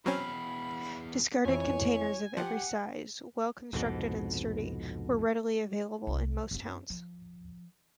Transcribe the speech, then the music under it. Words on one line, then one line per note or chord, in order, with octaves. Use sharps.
Discarded containers of every size, well-constructed and sturdy, were readily available in most towns.
E2 F#3 C4 C#4 F5 B5
F2 E3 C#5 G#5
F3 G4 F#5
C2 F2 G#2 B2
C2
F#2 C4
F3